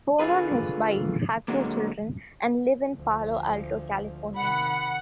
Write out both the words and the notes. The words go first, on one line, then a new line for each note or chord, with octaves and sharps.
Bono and his wife have two children, and live in Palo Alto, California.
D3 F4 G#4 B4
D3 F#3 G#3 A#3
D2 F3
C3 D#3 F#5 B5 C#7